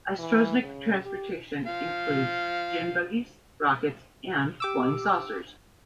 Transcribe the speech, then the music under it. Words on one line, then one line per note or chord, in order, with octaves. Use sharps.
Astrosnik transportation includes dune buggies, rockets, and flying saucers.
E3
C#3
G4
F3 F5
G4 D6 E6